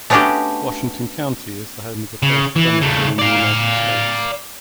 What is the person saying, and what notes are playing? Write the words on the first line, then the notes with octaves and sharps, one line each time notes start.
Washington County is the home of the first crematory in the United States.
A3 B3 C#4 D4 F#4 G4
C#3
E3
C#3 A3
D5 F5